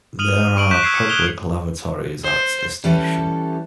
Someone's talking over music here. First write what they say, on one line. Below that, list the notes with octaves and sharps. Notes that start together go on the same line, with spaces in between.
There are public lavatories at the station.
D#6 F6 D#7 F7 F#7
C#6 D7 F#7
C#6 F#6 G6 B6 D7 E7
D#6 E6 G#6 C7
C#7
D#6 F#6 G#6 F7 G7
C5
E3 G3 C#4 G4 A4